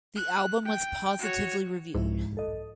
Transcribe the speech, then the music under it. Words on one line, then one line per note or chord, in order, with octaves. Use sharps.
The album was positively reviewed.
F#6
G5
F#4 C#5
C2 G#2 F3 E4
A4 D#5